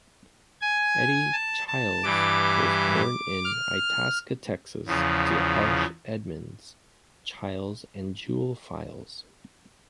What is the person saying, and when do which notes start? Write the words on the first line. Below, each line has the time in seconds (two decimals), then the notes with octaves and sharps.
Eddie Chiles was born in Itasca, Texas to Harsh Edmonds Chiles and Jewell Files.
0.61 G#5
1.33 A5
1.68 A5
2.03 G2 E3 G3 D6
3.44 F6
4.86 E2 C#3 F3